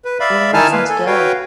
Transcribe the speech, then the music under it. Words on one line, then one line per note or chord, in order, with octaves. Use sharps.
Ooh, that sounds good.
B4
D5 E5 F5 B5
D#3 D#4 E4 G#5 A5 F6
A#3 B4 F5
A4 G#5
F#4 B4 C#5 F5 G5